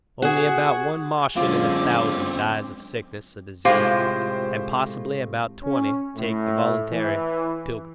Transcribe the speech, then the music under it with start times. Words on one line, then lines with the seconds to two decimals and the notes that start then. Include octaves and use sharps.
Only about one Martian in a thousand dies of sickness or disease, and possibly about twenty take the voluntary pilgrimage.
0.22 F#4 G#4
1.36 F#2 D3 G#3 C4 C#4 F4 D6
3.65 A2 C3 G#3 F4 G4 C5 D6
5.63 C#4
6.17 A2
6.91 E3